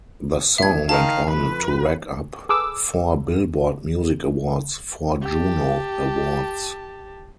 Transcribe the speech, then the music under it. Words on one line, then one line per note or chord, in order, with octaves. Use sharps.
The song went on to rack up four "Billboard" Music Awards, four Juno Awards.
A#2 E5 G#6
D#3 F5 A5
F2 B4
G#4 A4 B4 D6 E6
G4 A5